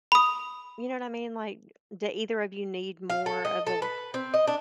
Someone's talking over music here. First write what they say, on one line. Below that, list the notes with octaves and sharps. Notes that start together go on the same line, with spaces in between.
you know what I mean? Like, do either of you need more of the w
B5 D#6
F5
A4
D#5
A4
B4
C4
D#5
D4